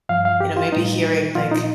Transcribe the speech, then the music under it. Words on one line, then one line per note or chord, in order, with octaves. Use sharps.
you know, maybe hearing like
G2 F3 F5
F5
G4
F4
A2 G3 D#4
A#2 F3 F4
D#4